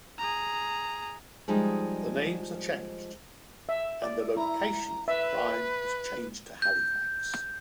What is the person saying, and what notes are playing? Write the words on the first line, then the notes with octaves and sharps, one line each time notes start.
The names are changed and the location of the crime is changed to Halifax.
G#4 A#5
F3 G3 G#3 D#4
E5
D5
E4 A#5
B4 E5
G6